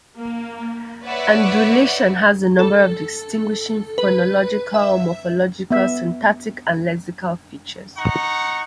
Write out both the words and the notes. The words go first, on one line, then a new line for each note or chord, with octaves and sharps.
Andalusian has a number of distinguishing phonological, morphological, syntactic and lexical features.
A#3
B4 C#5 D5 E5 F#5
A4
B4
E5
B3 E5
D#4 F#5 A#5 C#6